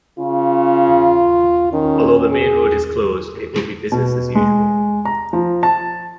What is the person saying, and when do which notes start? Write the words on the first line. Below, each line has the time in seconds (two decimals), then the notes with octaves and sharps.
Although the main road is closed, it will be business as usual.
0.19 C#3 F4
1.73 D#3 C#4
2.31 G#4
3.92 B2
4.35 G#3
5.05 A#5
5.33 F3
5.63 A5